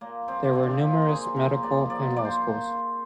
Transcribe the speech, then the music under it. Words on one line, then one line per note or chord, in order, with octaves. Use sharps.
There were numerous medical and law schools.
A#2 A#3
F3 C4
A#3
A#2 C4
D4
D#4
F3
F4
A#4
A#2 G#4
F3 A#4
A#2 D5
F3 D5
A#2 D5
C5